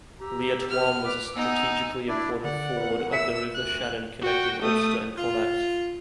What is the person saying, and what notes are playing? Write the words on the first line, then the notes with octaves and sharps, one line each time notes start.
Liatroim was a strategically important ford of the River Shannon connecting Ulster and Connacht.
G4 A#5 E6
B3 F6
B4 D6
B3 D#4 G#5 E6
D4 E4 D5
D3 D5 F#5
E2 A#4 B4
E5 E6 B6 C#7
D2 F#6
F#4 G5
A3 D#6
F4